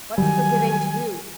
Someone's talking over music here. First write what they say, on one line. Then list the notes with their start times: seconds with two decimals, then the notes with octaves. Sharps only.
What's forgiving to do?
0.18 D#3 F#3 G3 G#5